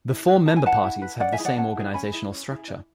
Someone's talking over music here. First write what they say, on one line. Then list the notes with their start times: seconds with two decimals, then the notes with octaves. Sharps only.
The four member parties have the same organizational structure.
0.09 E4
0.28 B4
0.46 E4 A5
0.56 G#5
0.64 B4 F#5 A5
0.83 E4
1.02 B4
1.19 C#4 D5 F#5
1.32 E5 G#5
1.38 E4 G#4
1.45 D5 F#5
1.57 C#4 F#5 A5
1.76 E4 G#4
1.94 C#4 G#5 B5
2.12 E4 G#4
2.32 C#4
2.49 E4 G#4
2.68 D4